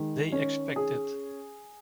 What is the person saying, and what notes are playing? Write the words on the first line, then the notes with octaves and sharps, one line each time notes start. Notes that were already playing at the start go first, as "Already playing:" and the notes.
They expect it.
Already playing: D#3 G#3
C#4
G#4